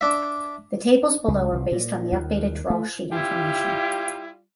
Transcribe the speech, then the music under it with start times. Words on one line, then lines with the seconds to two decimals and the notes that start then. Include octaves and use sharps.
The tables below are based on the updated draw sheet information.
0.01 D4 E5
1.28 C#2
1.53 C2
1.72 A#2
2.12 D#2
2.70 A3
3.12 G3 E4 F4 G4